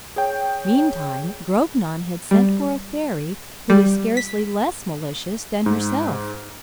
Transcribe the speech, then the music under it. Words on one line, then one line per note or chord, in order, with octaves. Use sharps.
Meantime, Grognon had sent for a fairy, who was scarcely less malicious than herself.
G#4 C#5 G5
G3
G3
B6
G#2